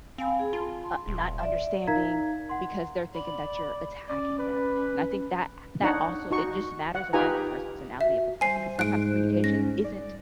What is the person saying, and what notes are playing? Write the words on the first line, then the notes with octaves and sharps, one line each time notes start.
n uh, not understanding because they're thinking that you're attacking them. And I think that h that also it just matters about the personality of the person 'cause sometimes communication isn't
C4 F5 G#5 B5
G#4
F4 A5
C6
D#1
D5 E5
D#4 A#4 F5 A#5 G#6 B6
F#5 C6
D5 B5
C#4 D5
B4
D4 D#4 C#5 F#5
D#4 F#4 C#6
F#5
D#4 F4 G4 B4 G#5 A#5
F#4 E5
G3 C5 G#5 C7
G#2 F#6 D7
C#4 A#6
D5